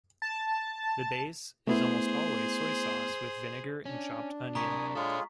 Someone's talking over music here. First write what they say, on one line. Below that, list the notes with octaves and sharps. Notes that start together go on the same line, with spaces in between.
The base is almost always soy sauce with vinegar and chopped onion.
A5
A3 B3 E4 G#4 C5
C#4 D4
C3 A#4 G#5 A#5 C#6 D#6 B6
G#3 F4 G#4 A4 C#5